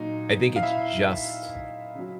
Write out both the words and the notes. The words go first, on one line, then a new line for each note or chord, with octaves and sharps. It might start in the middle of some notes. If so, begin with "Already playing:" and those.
I think it's just
Already playing: A#2 F#3 D#4
F5
E4 E5
C#3 F#3